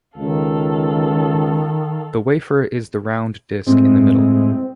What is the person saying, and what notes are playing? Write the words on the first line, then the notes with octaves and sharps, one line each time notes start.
The wafer is the round disc in the middle.
C#2 D#3 A4 F5
A2 G#3 C4